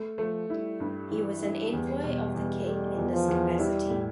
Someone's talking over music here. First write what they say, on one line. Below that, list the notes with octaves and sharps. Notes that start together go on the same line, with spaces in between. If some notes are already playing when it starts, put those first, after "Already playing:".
He was an envoy of the king in this capacity.
Already playing: A3
F3 A3
G3 E4
G2
E3
E4
E2
B2
E2
G3 A3
E2
F3
E2
G3 E4
A2